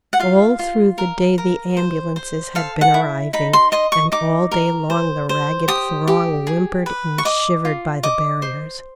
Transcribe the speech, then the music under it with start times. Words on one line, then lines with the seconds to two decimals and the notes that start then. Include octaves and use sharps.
All through the day the ambulances had been arriving, and all day long the ragged throng whimpered and shivered by the barriers.
0.13 F#5
0.20 F4 F5
0.59 F4
0.98 A#4
1.38 A#4
1.77 C5
2.16 C5
2.55 A4 F5
2.81 F#5
2.94 E4
3.33 D#4 B5
3.53 C6
3.72 D#5 C6
3.92 C#6
4.12 D#4 D6
4.52 A#4
4.90 C5
5.29 C5
5.68 G4 D#6
6.08 G4
6.47 G#4
6.86 B4
7.18 C#6
7.25 D#5 D6
7.65 F4
8.03 D#5 D6
8.42 C5